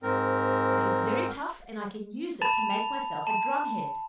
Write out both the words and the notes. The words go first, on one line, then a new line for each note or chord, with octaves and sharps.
It looks very tough and I can use it to make myself a drumhead.
G#2 C4 A#4
A5 B5 A6 F7
F7
A5